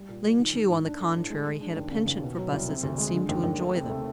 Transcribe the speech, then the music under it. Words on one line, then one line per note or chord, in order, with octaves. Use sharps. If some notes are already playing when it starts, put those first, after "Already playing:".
Ling Chu on the contrary had a penchant for buses and seemed to enjoy them.
Already playing: G3
A#2
A#2
D#3
G#1
G#2
D4
A3
A2
G#3
G#3
D4
D#2
C#3
D#2
B2
F#3
C2
C3
D2
G#3
D3
D#2
D#2
A3
C3
A3